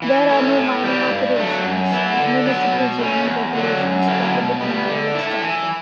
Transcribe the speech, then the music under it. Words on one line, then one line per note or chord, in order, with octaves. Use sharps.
There are no mining operations, as municipal zoning regulations prohibit mineral extraction.
E3
A3 C#4 E4
A2
E3 G3
G2
F#3 A3
F#2
E3 B3 E4
D3
F#3 B3
B2
A3 C#4
E2
D3 F#3
F#2
D3 F#3 C#4 E4
B2
G3 B3
D3
A3 E4
E3